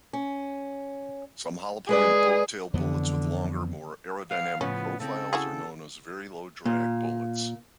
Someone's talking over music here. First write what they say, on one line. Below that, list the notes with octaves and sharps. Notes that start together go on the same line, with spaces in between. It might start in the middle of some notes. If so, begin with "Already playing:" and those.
Some hollow-point boat-tail bullets with longer, more aerodynamic profiles are known as very-low-drag bullets.
C#4
G#3 G#4 B4 D5
F2 D3 E3 B3
B3 F5
A2 C#3 F3 B3 C#4
C#3 C4 A4
E4 F#4 G#4
A#2